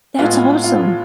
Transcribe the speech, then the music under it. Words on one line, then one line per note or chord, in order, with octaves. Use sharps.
That's awesome.
A2 G#3 B3 F4
F4